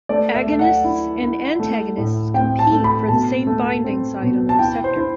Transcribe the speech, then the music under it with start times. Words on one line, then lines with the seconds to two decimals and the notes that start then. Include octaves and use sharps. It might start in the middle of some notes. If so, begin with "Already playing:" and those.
Agonists and antagonists "compete" for the same binding site on the receptor.
0.09 A3 D5
0.34 E5
0.47 A3
0.59 F#5
0.84 E4
1.21 E4
1.60 A3
1.97 A2
2.34 C4 G5
2.59 A5
2.72 A3
2.84 B5
3.09 B2 A5
3.47 A3
3.84 C4
4.22 B2
4.49 A5
4.58 E4 G5
4.84 C5
4.96 E4